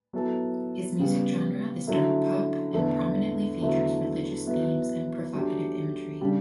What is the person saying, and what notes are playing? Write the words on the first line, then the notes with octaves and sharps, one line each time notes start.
His music genre is dark pop and prominently features religious themes and provocative imagery.
F#3 B3 E4 A4
C#3 G3 B3
D3 F#3 A3 E4
E2 D3 A3
E2 D3 F#3 A3 E4
F#3 B3 E4
F#3 A3 D4 G4
C#3 G3 D4